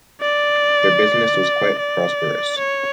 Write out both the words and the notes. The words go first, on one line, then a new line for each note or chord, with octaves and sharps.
Their business was quite prosperous.
D5
D5
C#5